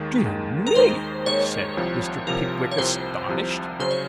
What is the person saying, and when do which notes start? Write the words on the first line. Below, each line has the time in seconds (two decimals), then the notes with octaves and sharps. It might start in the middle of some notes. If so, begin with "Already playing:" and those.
'Dear me!' said Mr. Pickwick, astonished.
Already playing: D#2 D#3 G#3
0.25 D#2 D#3 G#3
0.67 A#4
0.75 D#2 D#3 G#3 C5
1.26 D#2 D#3 G#3 C#5
1.77 C2 C3 F3
2.27 C2 C3 F3 A#4
2.71 C#5
2.78 C2 C3 F3 C5
3.29 C2 C3 F3
3.79 C#3 F#3 C#4 C5
3.91 C#5